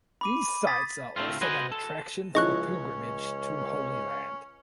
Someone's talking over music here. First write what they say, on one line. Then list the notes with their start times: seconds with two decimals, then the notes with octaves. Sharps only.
These sites are also an attraction for pilgrimage to Holy Land.
0.21 B5 D6 D#7
0.67 D#6 G#6 A6 B6
1.16 D2 A2 A3 C4 F4
1.41 F#4 B4 C5 D#5 F#5 G#5
1.72 A4
2.35 C#2 F3 C#4 E4 G#4 D#5 C#6 F#6